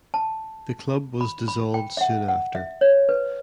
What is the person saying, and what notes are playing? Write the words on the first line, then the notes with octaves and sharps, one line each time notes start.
The club was dissolved soon after.
A5
B5
B5
G5
E5
F#5
F#5
E5
C#5
B4